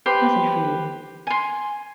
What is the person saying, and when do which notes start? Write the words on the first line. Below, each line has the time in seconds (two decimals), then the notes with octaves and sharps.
Message for you.
0.06 G4 B4 C5
1.27 G#5 C6